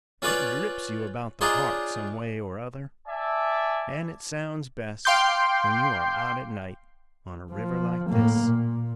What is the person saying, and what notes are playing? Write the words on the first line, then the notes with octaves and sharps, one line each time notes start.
It grips you about the heart some way or other, an' it sounds best when you are out at night on a river like this.
C#4 F4 B4 C#5 D5
D4 D#4 F4 G#4 C#5 C6
D5 E5 G#5 A5
F5 G5 C6 D6 G6
F3
A2 A#3
A#2